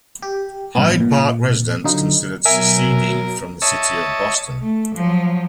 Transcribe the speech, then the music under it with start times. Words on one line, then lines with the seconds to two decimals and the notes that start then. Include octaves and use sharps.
Hyde Park residents considered seceding from the City of Boston.
0.22 G4
0.75 A1 G2 F3 B3
1.00 A#2
1.84 D3 F#3 D#4 F4
2.45 B2 F#3 A#4 E5 G#5
3.62 C#5 D#5 E5 A5
4.62 A3
4.95 F3 F#3